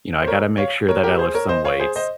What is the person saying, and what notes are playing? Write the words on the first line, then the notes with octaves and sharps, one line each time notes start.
You know, I gotta make sure that I lift some weights,
C5
A#4 C#5
C#5 F5
A#4 C#5
G4 A#4
G#4 C5
A#4 C#5
C5 D#5
C#5 F5
G#4 C5
C5 D#5